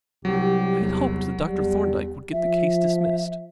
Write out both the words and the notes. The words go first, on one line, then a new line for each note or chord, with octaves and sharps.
I had hoped that Dr. Thorndyke would get the case dismissed.
C2 F#3 G4
E2
E2 G3
F3 E5